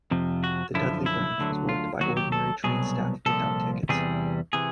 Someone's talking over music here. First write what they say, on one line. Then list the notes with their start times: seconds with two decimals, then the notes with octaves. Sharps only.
The Dudley branch was worked by Ordinary Train Staff, without tickets.
0.11 F2 C3 F3
0.44 F#4
0.74 F#2 D3 F3 E4
1.06 E4
1.38 D2 D3 F#3
1.69 F4
2.00 D#2 D#3 F#3 F#4
2.17 G4
2.32 A4
2.64 C2 B2 F#3 G#4
3.26 C2 A#2 F3 A4
3.89 E2 C3 E3 G3 G#4
4.53 C3 E3 G#4